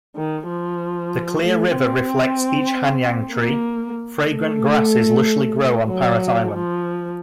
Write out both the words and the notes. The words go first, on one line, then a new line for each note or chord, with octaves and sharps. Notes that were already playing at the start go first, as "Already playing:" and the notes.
The clear river reflects each Hanyang tree, fragrant grasses lushly grow on Parrot Island.
D#3
F3
A3
C4
A#3
A3
F#3
F3